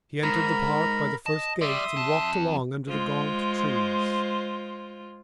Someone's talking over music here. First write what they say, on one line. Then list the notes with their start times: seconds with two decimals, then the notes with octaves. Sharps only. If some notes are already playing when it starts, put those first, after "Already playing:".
He entered the Park by the first gate and walked along under the gaunt trees.
0.23 G#2 A#4 A#5 B5
1.26 D#5 A5
1.61 G3 E5 C6 D#6
1.97 F2 A5
2.88 G#3 F4 C5